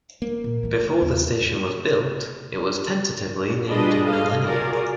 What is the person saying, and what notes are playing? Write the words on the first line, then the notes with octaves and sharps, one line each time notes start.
Before the station was built, it was tentatively named Millenia.
A#3
A#2
E3 A3
E2
G3 D4 F4 G#4 B4 D#5
A4 D#5 F5
F4 F#4 G#4 A#4 D5